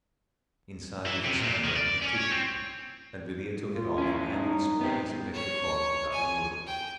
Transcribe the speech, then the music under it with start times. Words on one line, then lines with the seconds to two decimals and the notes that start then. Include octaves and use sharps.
Inside was a second wrapping of tissue, and Villiers took it off and handed the small piece of paper to Clarke without a word.
1.06 E3
1.25 C3
1.42 A#2
1.64 D#3
1.76 D5
2.03 C#4
2.18 C#5
2.30 C4
3.74 F4
3.98 C#4 E4
4.33 D#4
4.81 B3 C4 G4
5.34 C#5
6.12 G#5
6.67 G5